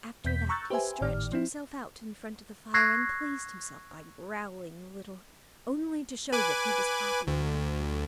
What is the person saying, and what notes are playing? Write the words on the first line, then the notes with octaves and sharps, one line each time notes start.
After that he stretched himself out in front of the fire, and pleased himself by growling a little, only to show that he was happy and comfortable.
E2 B2 G6 B6
A#5 C#6 E6 F#6 G6 A6
G4 B4 C5 E5 G#5
G#1 A2 D#3 G4 D5 F6
F3 C4 E4
C#6 E6 F#6 G#6 A#6 C7
B4 G#5 D6
D2